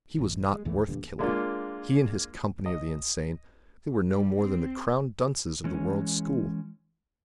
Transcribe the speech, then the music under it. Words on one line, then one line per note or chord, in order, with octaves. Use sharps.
He was not worth killing, He and His company of the insane--they were no more than the crowned dunces of the world's school.
A1
G#3
D2 G#2 E3 A3
E2 G2 A#2 D3
G#3 A#3 D4 F4
D#5
G3
C4
E3 G#3 C#4